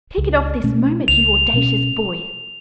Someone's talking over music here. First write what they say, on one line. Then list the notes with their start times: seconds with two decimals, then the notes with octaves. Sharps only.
'Take it off this moment, you audacious boy!
0.18 C#2
0.64 B2 A3 C#4
1.08 C#2 F7
1.53 B2 A3 C#4